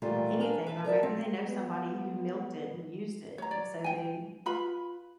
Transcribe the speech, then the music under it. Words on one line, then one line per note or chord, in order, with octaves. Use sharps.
anything, or maybe they know somebody who milked it and used it, and so they
A#2 E3 G3 A3 A#3 F4
D4 A#4 G5 G#5
B4 E5 A5
A#4 D5 E5 A5
C4
B3
C#5 A#5
D5
G5 G#5
F4 B4 B5